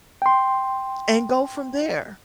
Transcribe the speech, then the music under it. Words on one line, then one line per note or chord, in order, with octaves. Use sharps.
And go from there.
G5 C6